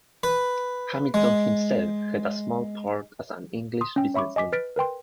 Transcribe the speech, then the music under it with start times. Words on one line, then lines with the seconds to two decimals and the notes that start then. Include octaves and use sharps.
Hamilton himself had a small part as an English businessman.
0.23 B4
1.14 G#3
3.81 C6 D#6
3.96 C#4 G5
4.14 C#5 E5 B5 C#6 D6
4.36 D#5 G#5 D6 B6
4.52 B4 F6 A6 B6 D7
4.76 A#4 B4 G5 C6